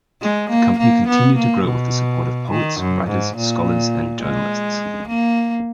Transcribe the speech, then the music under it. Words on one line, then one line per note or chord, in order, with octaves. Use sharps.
The company continued to grow with the support of poets, writers, scholars and journalists.
G#3
A#3
A#3
B3
A#3
B2
D#3
F#2
G#2
A#2
G#3
A#3